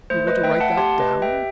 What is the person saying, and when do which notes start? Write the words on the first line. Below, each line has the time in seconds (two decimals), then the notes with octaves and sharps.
You want to write that down?
0.10 A3 C5
0.27 B4 D#5
0.44 A3 E5 G5
0.60 F#5 A5
0.77 G4 A5 C6
0.99 B4 D#5
1.11 G4
1.22 E5 G5